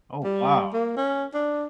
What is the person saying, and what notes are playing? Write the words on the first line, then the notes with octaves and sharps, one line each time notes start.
Oh, wow.
G3
A#3
C#4
D4